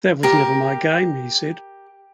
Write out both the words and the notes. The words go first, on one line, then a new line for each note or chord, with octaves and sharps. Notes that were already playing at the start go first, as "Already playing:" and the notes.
"That was never my game," he said.
G4 A#4